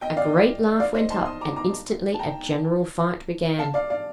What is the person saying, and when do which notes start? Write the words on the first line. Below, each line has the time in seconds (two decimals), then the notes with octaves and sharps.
A great laugh went up, and instantly a general fight began.
0.01 D#5 G5
0.17 D5 F5
0.80 D5 F5
0.95 C5 D#5
1.10 A5 C6
1.25 C6 D#6
1.41 A#5 D6
1.56 A#5 D6
2.14 A5
2.19 G5 A#5
3.58 F5 A5
3.74 D5 F5
3.90 D5 F5